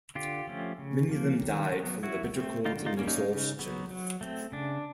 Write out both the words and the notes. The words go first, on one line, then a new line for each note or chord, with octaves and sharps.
Many of them died from the bitter cold and exhaustion.
D3 F4 G4
F3 A3 C#4
C#3
F3 A#3
D#3
F#3 B3
F#3 E4 F#4
A3 C4
D3 D#4 F4
D#4 F4
G3 A#3 C#4
C#4 D#4
C#3
F#3 B3
F#3
A3 C4
C#3 D4